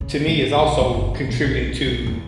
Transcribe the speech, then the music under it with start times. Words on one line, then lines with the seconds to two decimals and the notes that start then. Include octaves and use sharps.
to me is also contributing to,
0.01 C#3
0.27 A2
0.42 E3
0.58 B1
0.80 B2
0.94 F#1
1.14 D3
1.28 B2
1.44 B1
1.69 C4
1.87 B1
2.07 E2